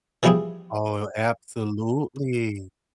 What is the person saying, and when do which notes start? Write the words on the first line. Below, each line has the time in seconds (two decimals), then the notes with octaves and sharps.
Oh, absolutely.
0.23 E3 F3 G3 E4 G4 G#4